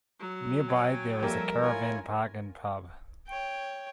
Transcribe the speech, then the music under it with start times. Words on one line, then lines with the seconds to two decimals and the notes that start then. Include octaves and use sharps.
Nearby there is a caravan park and pub.
0.20 F#3
0.68 C#5 G5 G#5
1.21 F3 G3 A#3 A4 A#4 E5
1.62 E4 F4 C#5 G#5
3.27 C#5 G5